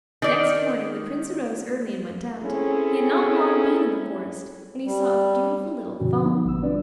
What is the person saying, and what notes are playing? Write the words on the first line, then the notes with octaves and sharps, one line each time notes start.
Next morning the Prince arose early and went out; he had not long been in the forest when he saw a beautiful little Fawn.
D#3 D5
C4 C#4 E4 G#4 A4
G3
G2 B2 D3 F3 C#4 F#4
F3 B3 D#4
A1 D3 E6
G3 C4 D4 F4 B4 D5